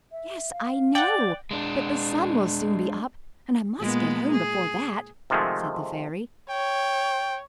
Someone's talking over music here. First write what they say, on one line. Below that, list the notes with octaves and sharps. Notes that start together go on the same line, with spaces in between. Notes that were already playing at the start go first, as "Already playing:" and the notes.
"Yes, I know; but the sun will soon be up, and I must get home before that," said the Fairy.
E5
F5
D5 F#5 G5
G#3 D4
A#2 G#3 B3
G#4
C3 D#3 F3 G#3 A3
C#5 G5